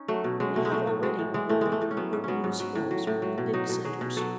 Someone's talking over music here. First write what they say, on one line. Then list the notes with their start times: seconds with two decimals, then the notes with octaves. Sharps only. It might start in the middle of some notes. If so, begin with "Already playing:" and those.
We have already the weekly world-news films from the big centres.
Already playing: C#4 D#4
0.08 F#3 A3
0.24 B2
0.40 F#3 G#3
0.56 B2 A3
0.65 G#3
0.71 F#3 A3
0.87 A2
1.03 F#3 G#3
1.19 A2
1.34 E3 G#3
1.49 A2 A3
1.61 E3 G#3
1.72 A3
1.82 A2
1.91 C#4
1.97 F#3 B3
2.13 G#2
2.24 F#3 B3 C#4
2.44 G#2
2.60 F#3
2.75 A2
2.91 F#3
3.07 A2
3.22 F#3
3.38 B2
3.54 F#3 D#4
3.69 B2
3.85 F#3 G#4
4.01 B2
4.17 F#3 A4